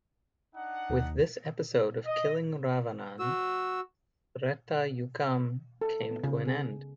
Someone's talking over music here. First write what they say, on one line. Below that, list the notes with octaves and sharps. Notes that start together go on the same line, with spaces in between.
With this episode of killing Ravanan, Thretha yukam came to an end.
D4 D#4 F#5
D#2
D#5
F#4 E6
A4
B3
C#3
G#4